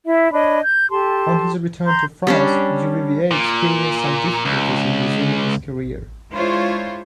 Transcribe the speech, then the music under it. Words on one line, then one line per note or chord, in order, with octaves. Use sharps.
On his return to France, Duvivier experienced some difficulties in resuming his career.
E4 E5
D4 C#5 D#5 B5
G6
G4 A4 A5 C6
A#5 C6 G6
G3 C#4 D4
A#2
C#2
G#3 D4 E4 F4 C5 C#5